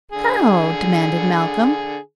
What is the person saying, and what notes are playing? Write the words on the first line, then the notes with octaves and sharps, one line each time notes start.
"How?" demanded Malcolm.
D3 G#4